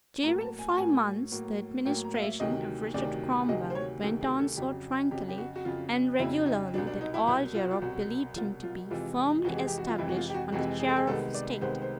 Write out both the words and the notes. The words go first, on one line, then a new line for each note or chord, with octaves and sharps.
During five months, the administration of Richard Cromwell went on so tranquilly and regularly that all Europe believed him to be firmly established on the chair of state.
A2 F#3 A#3 A#5
A5
G#5
A5
A2 F#3 A#3 G#5
A2 F#3 A#3
A2 F#3 A#3 G5
A#5
F5
E5
D2 C3 D#3 F#3 D#5
D2 C3 D#3 F#3 D5
D2 C3 D#3 F#3 D#5
C5
C#5
D2 C3 D#3 F#3 A4
G#4
A4
F2 C#3 F#3 G4
F2 C#3 F#3 G4
G4
F#4
F#4
F2 C#3 F#3 F4
F2 C#3 F#3 E4
D#4
C2 B2 F#3 D4
D4
D#4
E4
C2 B2 F#3 E4
F4
F#4
F4
C2 B2 F#3 F#4
C2 B2 F#3 F4
F4
F2 C3 E3 G#3 F4
F2 C3 E3 G#3 F#4
G#4
G4
F#4
F4
F2 C3 E3 G#3 E4
F#4
F4
G4
F#4
F2 C3 E3 G#3 F#4
G#4
A4
G#4
C2 C3 D#3 G#3 B3 A4
D5
C2 C3 D#3 G#3 B3 C5
C5